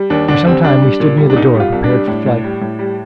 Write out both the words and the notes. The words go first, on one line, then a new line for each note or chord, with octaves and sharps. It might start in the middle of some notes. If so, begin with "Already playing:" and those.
For some time we stood near the door, prepared for flight.
Already playing: G3
D#2 D4
D3 D4
G3 C4
G3 D4
G3
A#2
G3
D4
C2 D#4
G3
F4
C2
D4
G3
A2
A2
G3
A2
G3